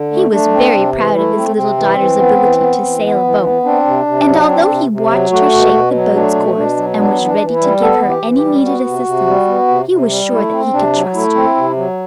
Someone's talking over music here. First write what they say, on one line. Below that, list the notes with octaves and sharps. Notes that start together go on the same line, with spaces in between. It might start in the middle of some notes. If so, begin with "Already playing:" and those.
He was very proud of his little daughter's ability to sail a boat, and although he watched her shape the boat's course, and was ready to give her any needed assistance, he was sure that he could trust her.
Already playing: D3
A3
A3 D4
C4
C3
E3
A3 E4
C4
C3 C4
E3
E3
B3
E3
B3
E3
B3
E3
B3
C4 D4
C3
C3
F#3
C4
C3
C3
F#3
A3 F#4
B2
B2
F#3
A3 D4
B2
B2 D4
F#3
B3 D4
E3
D4
E3
E4
G3
B3 A4
E3
G4
E3
G4
G3
B3 F#4
C3
C3
G3
B3
C3
C3
G3
A3 E4
C4
C3 D4
F#3
A3 E4
C4
C3
F#3